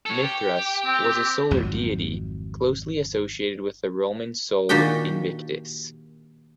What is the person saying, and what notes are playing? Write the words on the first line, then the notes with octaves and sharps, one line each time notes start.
Mithras was a solar deity, closely associated with the Roman Sol Invictus.
A4 C#5
G4
C4
C4
G#1 F2 F#3
A#2 D#3 D4 F#4 G4 G5